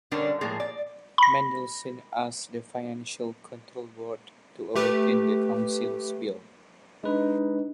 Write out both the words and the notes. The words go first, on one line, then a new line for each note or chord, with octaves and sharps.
Mendelson asked the Financial Control Board to overturn the Council's bill.
D3 G3 C#4 D4 A#4
A2 F3 G#3 A#3 G#4
D5
B5 A#6
A3 G4 B4
G#3 D4 D#4 B4